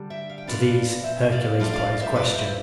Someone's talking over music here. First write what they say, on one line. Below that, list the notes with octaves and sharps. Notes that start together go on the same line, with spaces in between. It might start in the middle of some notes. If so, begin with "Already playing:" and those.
To these Hercules put his question.
Already playing: D3 G3 D4
E5 G5
F5
G5
B2 B3 D4 F4 D5 F5
C5 E5
D5 F5
A2 G3 D4 F4
D5 F5
C5 E5
B4 D5
C5 E5